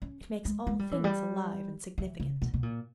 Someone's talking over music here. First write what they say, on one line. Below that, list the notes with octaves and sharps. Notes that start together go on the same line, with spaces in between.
It makes all things alive and significant.
C#4
G#3
G#3
G3
E3
G3
E3
C#3
B2
B2
A#2